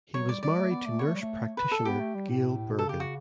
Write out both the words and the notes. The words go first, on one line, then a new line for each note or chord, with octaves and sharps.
He was married to nurse practitioner Gail Burgan.
F#3 C#5
G3 D5
G3 D5
A3
B3
A3
B3 C#5
A3
G3
A3
B4
A4
B3 G4
A3
G3
A2
B2
A4
C#3 G4
F#4